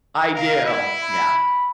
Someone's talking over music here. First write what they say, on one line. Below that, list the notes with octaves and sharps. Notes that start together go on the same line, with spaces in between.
I do. Yeah.
A#4 F5
B3 E4
B5